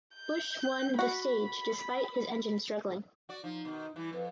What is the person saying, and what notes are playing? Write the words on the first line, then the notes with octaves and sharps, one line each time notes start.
Busch won the stage despite his engine struggling.
G6
F#4 B5
F#4 D5
F3 D#4
B2 D#3
E3 G3 E4
F2 B4